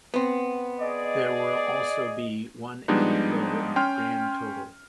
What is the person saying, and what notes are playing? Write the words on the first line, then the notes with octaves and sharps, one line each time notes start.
There will also be one added row of "Grand Total".
B3 C4
G#4 D5 D#5
F3 G3 G#3 B3 D4 D#4
C#4 G5 C6 F6